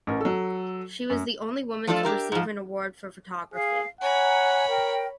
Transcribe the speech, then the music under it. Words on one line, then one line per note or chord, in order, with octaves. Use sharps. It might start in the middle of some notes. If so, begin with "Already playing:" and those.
She was the only woman to receive an award for photography.
A1 A#4
F#3 A4
F#2
F3 A3 D4 F4 A4 D5
D4 G4 A#4 E5
G#2 F3
G#4 F5
C#5 F#5 G#5 A#5 B5
A#4 G5